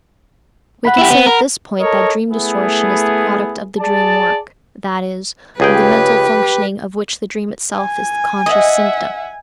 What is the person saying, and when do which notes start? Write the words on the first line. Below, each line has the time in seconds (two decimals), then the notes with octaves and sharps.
We can say at this point that dream distortion is the product of the dream work, that is, of the mental functioning of which the dream itself is the conscious symptom.
0.85 F#5 B5
0.98 E4 G4
1.10 B3
1.26 A#4
1.79 A4 A#4 C#5 D#5
2.29 A3 B3 E4 G#4
3.79 G#4 D5 A5
5.60 C#2 G4 G#4 B4 G5
7.76 G#5
8.46 D#5 E5 F#5